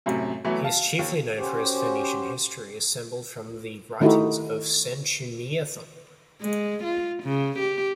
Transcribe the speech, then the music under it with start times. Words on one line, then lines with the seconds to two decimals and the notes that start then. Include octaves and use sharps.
He is chiefly known for his Phoenician history assembled from the writings of "Sanchuniathon".
0.06 F#2 A2 C3
0.45 E3 F#3 A3 B3
0.64 F5 A5
0.99 D#2
1.36 C#4 F#4 G4 C5
4.01 D#3 A3 D#4 E4 F#4 G4
6.41 G#3
6.83 F4
7.23 C#3
7.59 G4